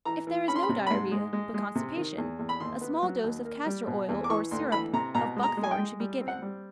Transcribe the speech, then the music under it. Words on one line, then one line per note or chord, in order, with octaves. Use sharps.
If there is no diarrhoea, but constipation, a small dose of castor oil or syrup of buckthorn should be given.
E3 A#5
E3
C#4 B5
C6
B5
C3
B5
G#2 C6
G#3
G#3
G#3
C3
D#3
E2
E2
B5
D#2 C6
B3
F#3
D#2
A#3
G3
B2
E2
D6
E3 C#6
D2 C6
E3 B5
C3 A#5
B2 A#5
G#3
A#5
G#3
G#5
G5
G#3
G3
C4
F#5
G3